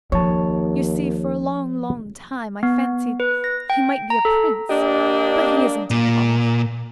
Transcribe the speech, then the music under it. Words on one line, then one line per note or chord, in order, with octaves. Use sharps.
You see, for a long, long time, I fancied he might be a prince, but he isn't at all.
D#2 F3 C#5 A5
B3
B4
A#6
G5
A#5
A4
A#3 D4 G4 D#5
A#2